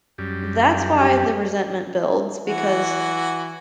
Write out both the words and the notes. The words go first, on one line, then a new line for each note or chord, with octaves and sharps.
that's why the resentment builds because
F#2 G3
G4
E3 F#4